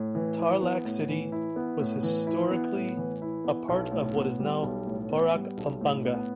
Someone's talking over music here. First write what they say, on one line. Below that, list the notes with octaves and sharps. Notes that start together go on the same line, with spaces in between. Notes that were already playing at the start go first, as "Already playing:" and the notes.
Tarlac City was historically a part of what is now Porac, Pampanga.
Already playing: A2
E3
E4
B3
A2
E3
E4
B3
A2
E3
E4
B3
A2
E3
E4
B3
B1
A2
B3
G3
B1
A2
B3
G3
B1
A2
B3